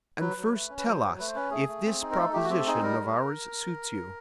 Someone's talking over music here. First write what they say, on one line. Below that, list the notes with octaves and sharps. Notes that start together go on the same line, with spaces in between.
And first tell us if this proposition of ours suits you.
F#3 B4
F#3
A3
C#4
B4
F#3 C5
F#3
A3 B4
C5
C#4 B4
A3 G#4
A3
C4
D#4
A#4
A3 A4
A3 G4
F#4
C4 G4
A4
D#4 G#4
G3 A#4
G3